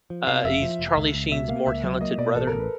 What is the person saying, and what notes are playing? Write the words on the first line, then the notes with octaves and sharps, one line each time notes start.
uh, he's Charlie Sheen's more talented brother.
F3
C3 F5
F1 E5
F3
F1
C#2
C#2
B2 E5
A#3 F5
C#2 E5
F#3 E5
A#3 D#5
B2 D5
A1 A4
A#4
A1
B4